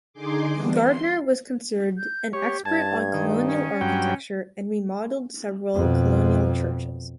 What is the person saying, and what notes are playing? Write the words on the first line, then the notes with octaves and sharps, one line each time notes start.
Gardner was considered an expert on Colonial architecture and remodeled several Colonial churches.
D3 D#4 G#4 C6 D6
E3 G3 B3 D4
C6
G6
G4 C#5
G2 A5 G#6
D#3
C#4
G2 F#3 G5
F2 B2